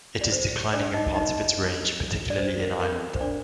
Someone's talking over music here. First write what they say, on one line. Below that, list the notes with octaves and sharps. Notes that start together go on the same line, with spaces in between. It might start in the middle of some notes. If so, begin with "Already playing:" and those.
It is declining in parts of its range, particularly in Ireland.
D5
C5
D4 D5
D#4 D#5
D#4 D#5
D5
C5
A#4
A#4
C5
D4 D5